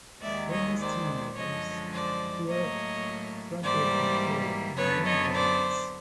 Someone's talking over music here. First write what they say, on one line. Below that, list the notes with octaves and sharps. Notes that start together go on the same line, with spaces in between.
During his teen years, Theart fronted and played in many bands.
D#2 D#3 G#3 D5 E5
C#5 D#5
C5 D5
F#2 D3 F3 G#3 C#5 D#5
C5 D5
A2 F#3 A#3 C#5 D#5
G#2 E3 G3 A#3 C5 D5
F#2 D3 F#3 B3 B4 C#5
C#5 D#5
C5 D5